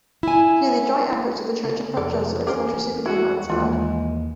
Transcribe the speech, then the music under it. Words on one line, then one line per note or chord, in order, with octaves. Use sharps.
Through the joint efforts of the Church and French Jesuits, literacy became widespread.
E4 G#5
C#3
F2 C3 A4 D5
E2 C#4 G4 A#4 C5
E4 F#4 A4
D#2 E3 G#3 A#3 F4 B4